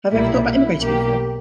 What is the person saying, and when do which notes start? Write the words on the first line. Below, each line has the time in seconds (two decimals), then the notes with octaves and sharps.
Have you ever thought about emigrating before?
0.11 B1 A#2 G3 A#3 E4
0.47 E4
0.82 B1 B2 A#3 G4